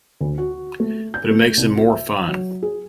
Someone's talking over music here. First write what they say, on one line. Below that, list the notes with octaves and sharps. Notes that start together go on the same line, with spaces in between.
But it makes them more fun!
D2
F#4
A3
G6
A3
C2
F#4
E5
F#3
G#4